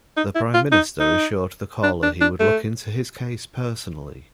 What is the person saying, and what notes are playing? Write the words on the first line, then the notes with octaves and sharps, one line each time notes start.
The Prime Minister assured the caller he would look into his case personally.
D#4
E4
F4
D#4
D#4
D4
D4
D4
A3